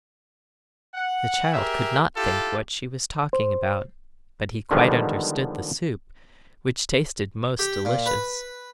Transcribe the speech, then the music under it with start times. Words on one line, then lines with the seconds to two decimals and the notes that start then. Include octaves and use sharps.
The child could not think what she was talking about, but he quite understood the soup, which tasted most delicious.
0.94 F#5
1.53 G4 G#4 A#4 E5
2.15 E4 F4 G4 A4
3.33 C5
4.71 D3 D#3 F3 G3 G#3 B3
7.59 G4
7.85 A#2
8.06 B4